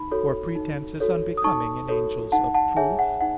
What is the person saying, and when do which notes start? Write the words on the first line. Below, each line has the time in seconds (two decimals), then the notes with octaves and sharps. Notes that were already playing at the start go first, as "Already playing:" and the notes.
For pretence is unbecoming in angels of truth.
Already playing: D#4 B5
0.11 F#4 A4 C#5
0.55 D#4
1.00 F#4 A4 C#5
1.37 D#6
1.44 D#4 A5 C#6
1.88 F#4 A4 C#5
2.32 D#4 F#5 A5
2.54 F#5 A5
2.77 G#4 C#5 E5 G#5
2.99 F#5
3.21 D#4 F#5